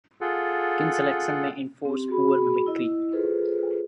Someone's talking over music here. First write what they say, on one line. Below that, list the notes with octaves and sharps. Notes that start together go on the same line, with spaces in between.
Kin selection may enforce poor mimicry.
F4 G#4 A4 F#5
C4 G4
F#4 G#4 B5
E4 D#5
F4 G#4 A4 B4 C5